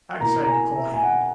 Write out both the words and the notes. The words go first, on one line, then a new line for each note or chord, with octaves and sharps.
I decided to call Hanley.
B2 A#3 E4 A#4 A#5
A#5
G#5
E5
G#5
F#5